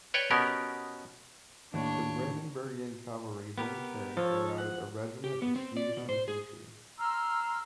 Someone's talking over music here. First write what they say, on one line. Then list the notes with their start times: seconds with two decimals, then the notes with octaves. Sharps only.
The Brandenburgian cavalry then turned and routed a regiment of Swedish infantry.
0.14 B4 C#5 D5 G5
0.31 B2 B3 C#4 G4 A#4
1.74 D#2 A2 D4 C#5
3.58 B3 G4 A#4
4.17 F3 A4 C#5
4.58 F#5
5.24 G4
5.42 B3
5.56 C4
5.77 D5
5.97 B2
6.09 C5
6.28 G#4
6.98 A#5 C6 E6 F6